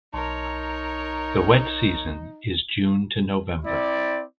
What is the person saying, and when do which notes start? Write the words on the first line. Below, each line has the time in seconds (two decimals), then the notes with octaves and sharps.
The wet season is June to November.
0.14 B1 D#4 A#4 C#5 A5 C6
3.66 C4 E4 D5